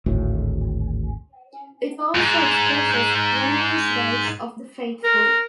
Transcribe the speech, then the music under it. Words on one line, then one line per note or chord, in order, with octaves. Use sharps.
It also expresses various rights of the faithful.
G#1 D2 A2
E2 G#2
A#4